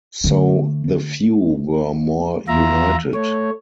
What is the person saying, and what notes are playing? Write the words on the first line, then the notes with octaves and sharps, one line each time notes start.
So the few were more united.
D3 A3
E2 F4 E5 A#5
A3 C#5